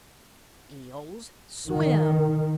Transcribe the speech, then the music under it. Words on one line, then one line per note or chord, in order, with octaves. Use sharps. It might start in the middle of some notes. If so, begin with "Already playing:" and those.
"Eels swim!"
D#3